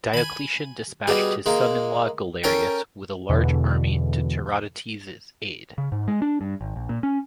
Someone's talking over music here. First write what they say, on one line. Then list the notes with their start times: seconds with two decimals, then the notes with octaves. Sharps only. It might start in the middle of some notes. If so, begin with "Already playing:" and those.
Diocletian dispatched his son-in-law Galerius with a large army to Tiridates's aid.
0.14 G#5 B5
1.07 B2 G3 G4 G#4
1.46 G#3 A#3
2.44 C#4 A4 A#4 G5
3.29 E2 B2 D3 E3
5.78 C#3
5.92 G#2
6.08 G#3
6.22 D4
6.41 G2
6.61 G#1
6.76 A#1
6.89 A#2
7.03 C#4